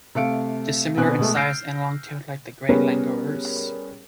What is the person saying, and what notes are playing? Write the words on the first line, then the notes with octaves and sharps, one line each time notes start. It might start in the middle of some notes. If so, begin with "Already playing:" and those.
It is similar in size and long-tailed like the gray langurs.
C3 A3 F5 C#7 D7
B2 D3 C4 B4 G#5 F#6
B2 G#3 A3
E6 F6 G6 A#6 C7 D7
G3 B3 C#4 G#4 A#4 C#5